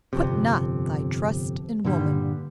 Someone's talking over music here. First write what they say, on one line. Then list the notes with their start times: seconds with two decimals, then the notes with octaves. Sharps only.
Put not thy trust in woman!
0.13 G1 F2 C3
1.84 G2 A#2 D3 G3